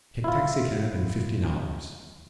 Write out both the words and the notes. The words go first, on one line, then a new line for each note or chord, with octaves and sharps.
Take taxicab and fifty dollars.
E4 F4